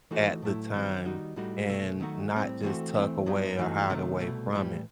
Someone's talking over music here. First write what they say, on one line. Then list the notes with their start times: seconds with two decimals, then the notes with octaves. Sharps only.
at the time and not just tuck away or hide away from it.
0.11 E3 A3 D#4 F#4 A4
0.42 A2 F#3 A3 E4
0.74 D#3 F#3 C4 D#4
1.05 D#3 G3 D#4 F#4
1.36 A2 G3 D#4 F#4 A4
1.68 C2 B2 A3
2.00 D#3 F#3 A3 D#4 F#4
2.32 A2 G3 C4
2.63 E3 A3 C4 F#4 A4
2.94 E3 A3 C4
3.26 G2 F#3 B3 D#4
3.58 G2 E3 A3 D#4 F#4
3.90 C3 D#3 A3
4.20 C2 B2 A3
4.52 A2 E3 G3